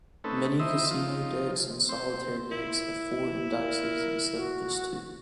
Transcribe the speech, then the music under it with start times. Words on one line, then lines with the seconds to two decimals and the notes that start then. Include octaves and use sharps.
Many casino decks and solitaire decks have four indices instead of just two.
0.24 A3 C4 C#4 D#4 A4 B4
0.59 D#4 E4 C5 D#5 E5
0.91 F3 D#4 F4
1.89 C4 C5
2.51 E4
3.59 A#4
4.35 F#4